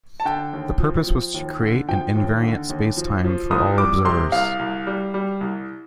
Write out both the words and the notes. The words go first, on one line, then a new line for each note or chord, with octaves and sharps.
The purpose was to create an invariant spacetime for all observers.
A5
D3 G5
D#2
F3
F3
D#2
D3
F3 G5
D#2
D3
D#2
F3
F3
C2 D#6
G3 D6
C3 C6
C2 F5
C2
G3
G3
C2